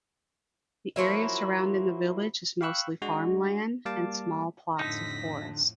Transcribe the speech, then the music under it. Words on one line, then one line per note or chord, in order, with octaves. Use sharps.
The area surrounding the village is mostly farmland and small plots of forest.
F3 F#3 A#3 E4
F5 G5 B5 C#6 E6 F#6
G#3 D4 F#4
G3 A#3 F5 A5 D6
F2 A2 D3 D#4 A#6 B6